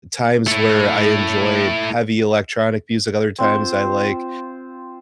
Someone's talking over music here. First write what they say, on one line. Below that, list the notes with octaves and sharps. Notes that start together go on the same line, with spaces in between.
times where I enjoy heavy electronic music, other times I like
A3 E4
C4 F4 C5